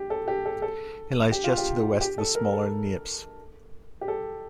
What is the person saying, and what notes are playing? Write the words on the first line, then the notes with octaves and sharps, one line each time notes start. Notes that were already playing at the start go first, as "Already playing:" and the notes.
It lies just to the west of the smaller Niepce.
Already playing: G4
A4
G4
A4
A4
G4
F4
G4
G4
A4
A#4
A4
G4
A4